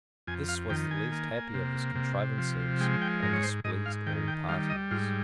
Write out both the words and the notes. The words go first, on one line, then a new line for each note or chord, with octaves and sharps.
This was the least happy of his contrivances, and displeased all parties.
F2 G#5
F5
D#3 G5
G#5
A#3
C3
C3
F3
G#3 G5
G5
G#2 A#4
C#5
C5
G#2 D#5
F5
D#3 G5
G5
G3 F5
D#5
G#2 F4